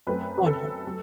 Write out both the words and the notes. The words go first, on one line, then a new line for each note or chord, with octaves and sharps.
Go on ahead.
F#2 F#3 A3 C4 B4
A4
F#3